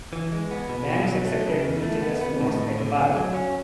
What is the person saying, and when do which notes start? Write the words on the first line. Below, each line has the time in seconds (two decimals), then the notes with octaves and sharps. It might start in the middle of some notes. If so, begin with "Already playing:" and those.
Banks accepted each other's notes at par.
0.13 E3
0.32 G#3
0.51 B3
0.69 B2
0.88 B2
1.08 F#3
1.26 A3
1.46 C#3
1.64 E2
1.83 A3
2.02 B3
2.21 B3
2.41 A2
2.59 A2
2.78 D3
2.96 D3
3.16 F#3
3.34 C#4